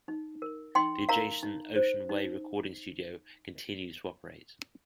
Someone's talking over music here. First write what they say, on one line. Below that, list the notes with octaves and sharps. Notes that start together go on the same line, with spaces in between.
The adjacent Ocean Way Recording studio continues to operate.
D#4
A#4
D#4 G5 C6
A#4 F5 A#5
D#4
C5
D#4